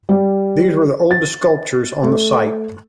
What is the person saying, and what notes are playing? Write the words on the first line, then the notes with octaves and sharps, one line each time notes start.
These were the oldest sculptures on the site.
G3
A6
A3